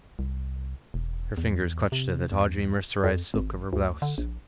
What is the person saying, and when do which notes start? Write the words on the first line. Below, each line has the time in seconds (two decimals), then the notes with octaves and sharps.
Her fingers clutched at the tawdry mercerised silk of her blouse.
0.19 C2
0.94 E1
1.38 E2
1.92 C3
2.32 E2
3.04 F2
3.34 G#1
3.73 D2
4.02 D3
4.18 A#1